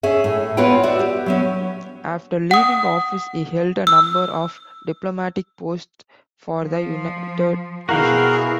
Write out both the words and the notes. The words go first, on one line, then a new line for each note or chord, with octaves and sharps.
After leaving office, he held a number of diplomatic posts for the United Nations.
C#4 G#4 E5
A2
B3 F4 F#4 B4 C#5 G5
F#4 D5 E5
G4
F#3 B3 C#4
F#5 D#6
E6
F3
B2 E4 F#4 G#4 A#4 F5 G5